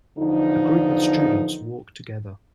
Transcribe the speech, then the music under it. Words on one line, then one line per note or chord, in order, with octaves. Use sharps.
A group of students walk together.
E2 D3 F3 D#4